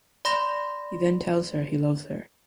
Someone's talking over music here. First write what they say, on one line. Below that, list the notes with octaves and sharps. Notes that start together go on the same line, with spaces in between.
He then tells her he loves her.
D5 B5 C6 A#6